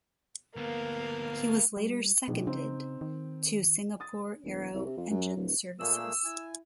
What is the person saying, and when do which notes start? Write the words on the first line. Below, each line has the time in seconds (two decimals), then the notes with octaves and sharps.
He was later seconded to Singapore Aero Engine Services.
0.56 D2 A#3 B3 F5
1.77 G3
2.28 A#1 B2 D#3 G#3
2.47 C#3 C4 D#4
3.01 D#3
4.00 D#6 A6
4.44 E1
4.74 C2
4.86 C3
4.97 F2
5.10 F#2
5.36 D1
5.80 A#2 A3 A#3 G#4 E6
6.24 E4 G#5